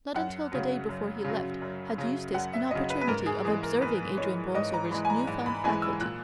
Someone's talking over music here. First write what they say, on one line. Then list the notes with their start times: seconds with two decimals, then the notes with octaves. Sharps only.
Not until the day before he left had Eustace an opportunity of observing Adrian Borlsover's new-found faculty.
0.15 F#2 F#5
0.52 C#3 F#3
0.89 F#2
1.24 C#3 F#3
1.62 F#2
1.98 C#3 F#3
2.34 F#2 F#5
2.53 E5
2.71 C#3 F#3 D#5
2.90 B4
3.01 B4
3.08 G#2 A#4
3.26 G#4
3.45 E3 G#3 G#4
3.63 A#4
3.81 G#2 B4
4.17 E3 G#3 C#5
4.55 G#2 D#5
4.74 A#5
4.91 E3 G#3 B5
5.05 G#5
5.10 A#5
5.27 G#2
5.46 B5
5.64 E3 G#3 G#5
5.82 E6
6.01 A#2 F#6